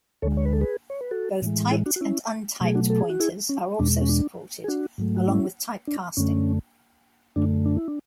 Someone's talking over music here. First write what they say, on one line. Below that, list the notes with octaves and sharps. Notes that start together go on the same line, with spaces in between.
Both typed and untyped pointers are also supported, along with typecasting.
D2 D3 G#3 A4 C#5
C#5
B4
A4
G#4 B4
C#5
B4
F#4 A4
A2 E3 G#3
E4 G#4
D4 F#4
F#4
C#4 E4
B2 F#3 A3 G#4
D4 F#4
A4
G#4
F#4
E4 G#4
C#4
E2 B2 G#3 D4
C#4
D4
G#4
D4 F#4
G#2 F#3 A3
F#4
C#4 E4
D4
F#2 D3 A3 C#4
F#2 D3 A3 D4
D4
E4
D4